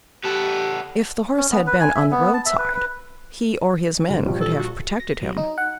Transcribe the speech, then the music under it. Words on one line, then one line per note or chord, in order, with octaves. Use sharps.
If the horse had been on the roadside, he or his men could have protected him.
B3 G4 A4
C#4
B3
B4
G#5
E5
B3
A5
E5
B4
B4
D2
A#1 G3 F4
A4
F#4
A#6
F#3
D#4
F#5